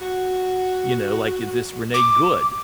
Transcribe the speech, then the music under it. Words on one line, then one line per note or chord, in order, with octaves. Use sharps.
you know, like, if this Renee Good,
F#4
D6